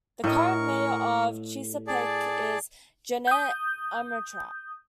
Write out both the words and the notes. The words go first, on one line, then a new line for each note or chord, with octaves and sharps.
The current Mayor of Chesapeake is Janet Armentrout.
A2 A#4 D#5 C#6
G#4 D5 A5
D#6 G6